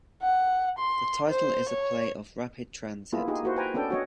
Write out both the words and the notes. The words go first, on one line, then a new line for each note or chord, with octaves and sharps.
The title is a play of Rapid Transit.
F#5
C6
C5
C#5
A#3 B3 E4 F4 G#4
D#4 F4 G4 G#4
A#3 E4 F#4 A#4 C5
B4 C5 G5 G#5 A#5
B3 C#4 D4 A4 G5
F#4 C#5 D#5